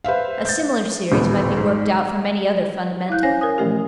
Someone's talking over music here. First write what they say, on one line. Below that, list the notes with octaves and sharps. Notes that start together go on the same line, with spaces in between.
A similar series might be worked out from any other fundamental.
B4 C5 E5 F5
G6 A6
D#1 A1 B3
G#2
E4 F5 F#6 G6
C#4 C5 C#5 F5 G#5 A#6
A#4 G#5 D#6
B2 E3 F3 A3 C#4 G4